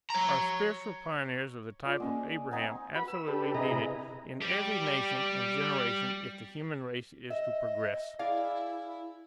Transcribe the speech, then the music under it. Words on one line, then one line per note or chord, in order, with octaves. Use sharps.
Are spiritual pioneers of the type of Abraham absolutely needed in every nation and generation if the human race is to progress?
C#5 A#5
F4 D5
G#3 A#3 C#4
C4 D#4 D5 F#5 G#5
F#4 B4 B5
E6
D4 G4 A4 B4
C3 E4 G#4 B4 D#5 A#5
G3 G4
D#5 E5
E4 G#4 D5 F5